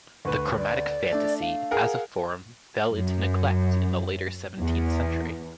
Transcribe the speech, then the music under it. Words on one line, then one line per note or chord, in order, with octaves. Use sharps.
The chromatic fantasy, as a form, fell into neglect in the later seventeenth century.
D2 B4 C#6
D5
A3 D4
F5
G#4 A#4 F#5
F#2
E2